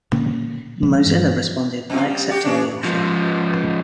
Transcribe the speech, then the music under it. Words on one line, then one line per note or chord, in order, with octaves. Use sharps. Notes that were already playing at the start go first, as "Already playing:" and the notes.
Mozilla responded by accepting the offer.
A#2 D3 A#3 C#4
B2 D3 F3 G#3
G2 E3 G#3
F2 C4 F4
G3 G#3
F#4 G4
E3 C#4 D4
G#2 F3